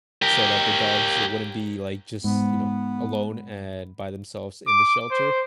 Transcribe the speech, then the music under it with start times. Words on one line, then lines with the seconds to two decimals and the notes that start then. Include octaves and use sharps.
so that the dogs wouldn't be, like, just, you know, alone and by themselves in the shelter,
0.22 G4 A#4
2.24 G#2 B3
4.67 D6
5.11 C5